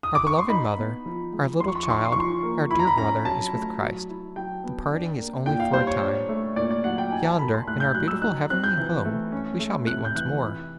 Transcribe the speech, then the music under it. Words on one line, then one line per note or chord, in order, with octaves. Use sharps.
Our beloved mother, our little child, our dear brother is with Christ; the parting is only for a time. Yonder, in our beautiful Heavenly Home, we shall meet once more.
D#6
D6
C#6
C6
D#4 B5
B3
F3
G#3
F3 C6
C#6
C6
C#6
D#4 C6
C#6
C6
C#6
F3 C6
A#3
E4 B5
A#5
B5
C#4 A#5
F#3 A5
A3
F#3
E4
F#3 G5
B3
D4
A#3
A#2 G5
F5
G3 C5
C#5
D4
A3
A#2 D5
D5
F#3 F#5
G5
D#4 G#5
A5
A#3 B5
C6
A2 F#6
G6
F#3 F#6
E6
D#4 F#6
C4 F#6
G6
E3
A3
C#4
A3
C3 F#6
G6
E3 F#6
E4